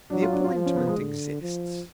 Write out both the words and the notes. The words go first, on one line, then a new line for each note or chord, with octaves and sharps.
The appointment exists.
F#3 D4
F4
D4
F4
F3
C#4
B3
G#3
D3
F3